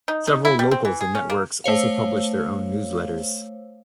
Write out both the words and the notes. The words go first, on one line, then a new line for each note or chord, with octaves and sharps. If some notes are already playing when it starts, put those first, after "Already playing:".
Several locals and networks also publish their own newsletters.
D#4
D#4
E4
G3
C4
E3
G#4
C#4
A#3
A3 C5 C#5 F5